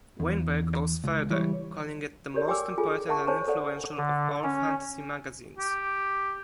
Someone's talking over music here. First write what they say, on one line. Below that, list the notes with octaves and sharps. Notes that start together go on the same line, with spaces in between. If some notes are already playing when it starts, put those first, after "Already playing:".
Weinberg goes further, calling it "the most important and influential of all fantasy magazines".
E2
C#2
E3 G3 C#5
G4 A4 A#4 C#5 D5
G4 G5 G#5 D6 E6
F4 G#4 A4 G#5
A#4 E5 F#5 A5 C#6
C5 C#5 G#5 A5 C#6
A4 D5 F#5
D3
C#4
G4